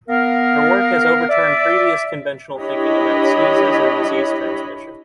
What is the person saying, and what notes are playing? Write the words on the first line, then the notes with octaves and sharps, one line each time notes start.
Her work has overturned previous conventional thinking about sneezes and disease transmission.
B3 A#4 F5
D5 E5
D4 E4 G4 C#5 D#5 B5